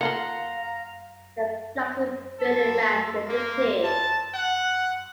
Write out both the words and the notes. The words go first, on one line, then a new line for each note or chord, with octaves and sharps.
The flaxen-bearded man disappeared.
A#3 F4 A4 F5 F#5 A#5 C6
A4
A#3
A5
F#5